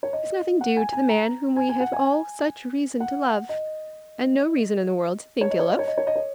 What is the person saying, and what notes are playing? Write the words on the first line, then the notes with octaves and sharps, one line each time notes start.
Is nothing due to the man whom we have all such reason to love, and no reason in the world to think ill of?
C#5
D#5
F#5
G#5
G#5
A#5
G#5
G#5
F#5
G#5
F#5
D#5
C#5
D#5
C#5
D#5
C#5
D#5
C#5
D#5
C#5